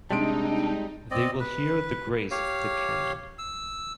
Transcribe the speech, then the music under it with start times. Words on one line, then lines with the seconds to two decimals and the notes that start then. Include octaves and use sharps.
They will hear the grace of the cannon.
0.11 C3 G3 G#3 D4 D#4 C6 D7
1.11 C4 D5 D#5
1.40 B4
2.31 G4 C#5 F5
3.38 E6